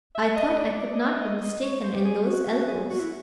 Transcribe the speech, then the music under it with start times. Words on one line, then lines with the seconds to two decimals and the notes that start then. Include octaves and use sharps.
I thought I could not be mistaken in those elbows.
0.15 E5
0.36 D#5
0.48 D#5
0.57 D5
0.78 D5
0.93 D#5
0.99 E5
1.20 D#5
1.41 D#5
1.63 C#5
1.83 C5
1.94 G4
2.05 G#4
2.26 F#4
2.46 F#4
2.68 G#4
2.90 F#4
3.00 E4